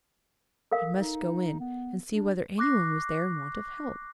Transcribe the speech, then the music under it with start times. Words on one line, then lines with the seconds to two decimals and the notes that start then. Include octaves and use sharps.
I must go in, and see whether anyone was there in want of help.
0.71 A4 A#4 F5
0.99 D#4
1.60 B3
2.10 D4
2.58 C#6 D6 F#6 A#6 C7